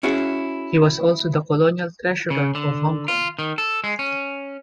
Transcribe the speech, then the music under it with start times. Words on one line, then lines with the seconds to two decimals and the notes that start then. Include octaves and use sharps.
He was also the Colonial Treasurer of Hong Kong.
0.03 C#4 E4 F#4 G#4
2.30 C#3
2.55 D3
3.08 F4
3.39 D#3
3.58 A4
3.84 G#3
3.99 C#4